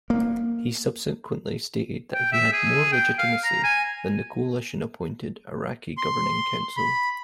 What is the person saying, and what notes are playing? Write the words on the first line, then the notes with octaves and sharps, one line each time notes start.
He subsequently stated that he had more legitimacy than the Coalition-appointed Iraqi Governing Council.
A#3
G5
E5
G#4
G5
F5
A#5
G#5
C6
B5